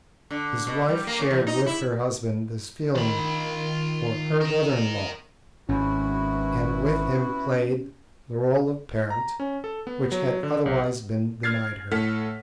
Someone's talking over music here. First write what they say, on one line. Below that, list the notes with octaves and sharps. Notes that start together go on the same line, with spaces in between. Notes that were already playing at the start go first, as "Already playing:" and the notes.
His wife shared with her husband this feeling for her brother-in-law, and with him played the role of parent, which had otherwise been denied her.
D3
B2
G3
A#3
C#3
E2
D#4
E4
D#3 F4 B5
A#4 D#5
G#1 G#2 B3 C#4 E4 F#4
A#5
C#4
A4
B3
F#3
D3
B1
F6 G#6 A6 C7
A2 A4 F#5 F6 B6